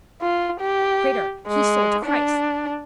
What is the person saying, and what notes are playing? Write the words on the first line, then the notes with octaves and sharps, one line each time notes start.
Traitor, he sold Christ....
F4
G4
G#3
D4